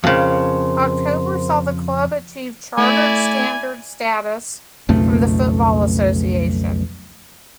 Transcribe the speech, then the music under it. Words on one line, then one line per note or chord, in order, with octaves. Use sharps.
October saw the club achieve Chartered Standard status from the Football Association.
F2 C#3 A#4 C5 C6
A3 E4 D5 G#5
B1 F2 C#3 A3